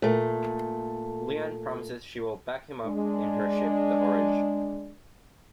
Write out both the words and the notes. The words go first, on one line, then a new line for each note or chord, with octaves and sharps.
Leann promises she will back him up in her ship, the "Orage".
A#2 A3
G#3 D4